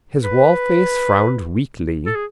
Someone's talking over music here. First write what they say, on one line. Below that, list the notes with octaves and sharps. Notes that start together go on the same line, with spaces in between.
His wallface frowned weakly.
B4
A4
G#4